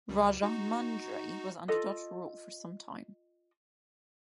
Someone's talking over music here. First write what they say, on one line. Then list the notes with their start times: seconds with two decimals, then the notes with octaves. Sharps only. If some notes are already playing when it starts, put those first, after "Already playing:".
Rajahmundry was under Dutch rule for some time.
0.09 C#2 G3
0.43 D#4 F#4
1.68 F4 A4 D#5